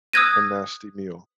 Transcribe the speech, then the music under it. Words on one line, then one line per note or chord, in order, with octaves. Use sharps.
a nasty meal.
D#6 E6 F#6 G#6 A#6 D#7